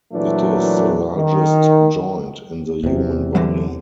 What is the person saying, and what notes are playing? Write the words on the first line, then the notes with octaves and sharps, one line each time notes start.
It is the largest joint in the human body.
A#2 E3 F#3 A3 D4
D#3
E2 C3
D3 E3 F#3